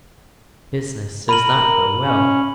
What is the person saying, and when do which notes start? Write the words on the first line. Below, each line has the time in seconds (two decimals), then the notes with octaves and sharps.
'Business does not go well.
1.29 A#4 B5 D#7 F#7
2.03 C#4